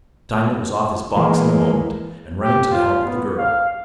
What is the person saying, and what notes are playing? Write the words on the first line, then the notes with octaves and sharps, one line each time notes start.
Diamond was off his box in a moment, and running to the help of the girl.
E3 G#3 A#3
G4
F4
B3
F5